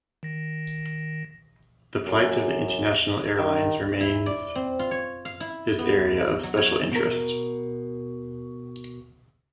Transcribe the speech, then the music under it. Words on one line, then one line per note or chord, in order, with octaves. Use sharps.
The plight of the international airlines remains his area of special interest.
D#3 A#6
F#2
D#3
E4
D5
C4
F4
C#5
F5
E4
B3
F#3
C#5
B2 A#4